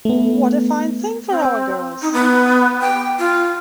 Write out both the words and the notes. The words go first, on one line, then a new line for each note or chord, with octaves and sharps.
What a fine thing for our girls!
A3 B3
C4
D#4
B3
G5
F4